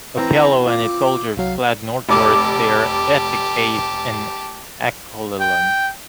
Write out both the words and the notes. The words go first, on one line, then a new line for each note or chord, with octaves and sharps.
Okello and his soldiers fled northward to their ethnic base in Acholiland.
E3 C4 A#5
F4 D6
C2 F#3 F5
F1 G4 A5 D6
G5